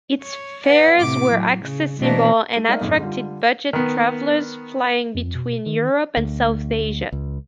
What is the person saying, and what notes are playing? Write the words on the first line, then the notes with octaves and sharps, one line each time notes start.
Its fares were accessible and attracted budget travellers flying between Europe and South Asia.
C#5
B4 D5 F#5
A2 C3 D6
F#3
C#3
B2 E3 A3 A#3 C4 D4
A3 D#7
A3 A#3 D#4 D5 E5 F5
D#1 G#1 F#2
D3 G3 F4
D#3 B3
F2
B2
D#3
D2
C#2